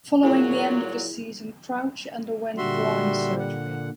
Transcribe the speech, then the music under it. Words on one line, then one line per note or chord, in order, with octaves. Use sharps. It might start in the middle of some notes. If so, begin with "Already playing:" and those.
Following the end of the season, Crouch underwent groin surgery.
A#2 F#3 E4 G#4
A#2 D3 G3 F#4 E5 C6
F#5